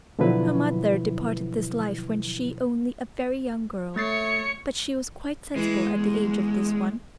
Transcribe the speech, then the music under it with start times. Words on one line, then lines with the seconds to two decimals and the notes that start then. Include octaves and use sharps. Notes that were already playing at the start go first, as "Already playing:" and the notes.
Her mother departed this life when she only a very young girl, but she was quite sensible at the age of this one.
0.19 B2 D3 F3 F#3 E4 B4
3.96 A3 C#5 A6 C7 C#7
5.56 E3 G#3
5.93 E2